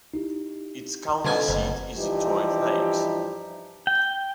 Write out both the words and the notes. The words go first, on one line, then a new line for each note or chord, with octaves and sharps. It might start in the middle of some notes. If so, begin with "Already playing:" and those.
Its county seat is Detroit Lakes.
D#4 E4 G4
F2 B2 D3 G#5
F#1 C5 D#5 A#5
G2 E3 F3 D#4 E4 G4
G5